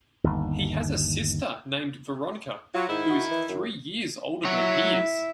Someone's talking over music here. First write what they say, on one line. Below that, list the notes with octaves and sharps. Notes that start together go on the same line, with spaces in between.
He has a sister named Veronica who is three years older than he is.
G1 D#2
F#3 F4
G#2 D#3 D#4 E4
F#4
E3
F#2
F#3 E4 C#5 E5